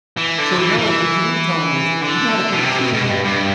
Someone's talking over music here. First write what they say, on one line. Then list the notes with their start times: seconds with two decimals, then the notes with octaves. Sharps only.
"So in other words, what you're really telling me is, you know how to put a key,
0.17 E3
0.38 D3
0.58 E3
0.78 E3
2.02 D3
2.53 B2
2.63 C3
2.79 B2
2.93 B2
3.09 G2
3.24 G2